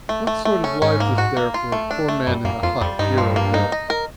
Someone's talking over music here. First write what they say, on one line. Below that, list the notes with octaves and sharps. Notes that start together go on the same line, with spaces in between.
What sort of life is there for a poor man in a hut here or there?
A3
A3
A3
C#4
G#2 C#4
A#3
F#4
A#3
F4
A3
D4
A3
F#2 G3
F#2 A#3
F2 F4
F2 G3
G2 D#4
F3
A#3
D#4
D#5
A#4